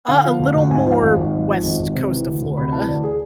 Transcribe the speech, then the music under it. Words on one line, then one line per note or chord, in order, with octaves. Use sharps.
Uh, a little more West Coast to Florida
D3 F5
F3
D2
D2
G#2 G#5
F3
F5
G#1
G#1
G#2
F3
G#1
G#1
C3
E3
D2
D2
C3 B5
E3 A5
D2 D5
G#4